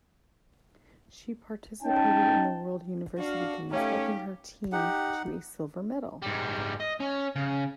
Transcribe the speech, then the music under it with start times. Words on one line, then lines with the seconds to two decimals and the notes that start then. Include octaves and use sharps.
She participated in the World University Games, helping her team to a silver medal.
1.83 C#4 D#4 G5 A5
3.18 D4 F#4 F5
3.71 A3 C#4 D#4 G4 C#5 F5
4.72 D#4 G4 F#5
6.22 G#2 G3
6.80 D#5
7.00 C#4
7.36 C#3